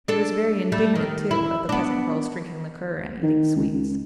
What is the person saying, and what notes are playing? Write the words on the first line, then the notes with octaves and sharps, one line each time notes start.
He was very indignant, too, at the peasant girls drinking liqueur, and eating sweets.
D4 A4
G3 A3
D#3
E4
B3 D4
D#3
C#2
C#2